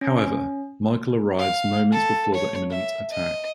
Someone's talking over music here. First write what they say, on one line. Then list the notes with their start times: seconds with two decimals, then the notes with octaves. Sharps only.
However, Michael arrives moments before the imminent attack.
0.01 C#4
1.39 F5
1.92 A4
2.34 C#5
2.70 E5
3.11 D#5